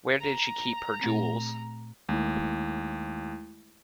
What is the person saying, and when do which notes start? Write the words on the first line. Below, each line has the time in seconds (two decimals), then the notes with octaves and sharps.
Where did she keep her jewels!
0.20 A#5
1.02 A#2 A3 C4
2.09 D#2 G#3 A3 E4